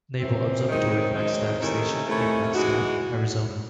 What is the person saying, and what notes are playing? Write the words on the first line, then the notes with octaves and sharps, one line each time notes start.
Naval Observatory Flagstaff Station in Flagstaff, Arizona.
F#2 E3 C4
F#2 D#3 G#3 C4 D#4
F#2 D#3 G#3 C4 D#4
C3 D#3 A3 C#4 E4
C3 D#3 A3 C#4 E4
C#3 E3 G#3 D#4 F#4